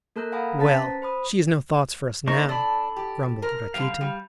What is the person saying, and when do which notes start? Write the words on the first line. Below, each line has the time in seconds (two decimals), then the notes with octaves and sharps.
"Well, she has no thoughts for us now!" grumbled Rakitin.
0.16 A#3 A4 A#4 A#5 F#6 G6
0.32 F5 F#5 G#5 A#5 B5 D#6
0.59 C#4 B4 A5 A#5 A6 B6
0.73 C5
1.02 C5 B5 D#6
2.27 A#3 D#4 C5 C#6
2.49 D4 A4 B5
2.96 G4
3.42 A#4
3.74 D3 G3 F5
4.01 G3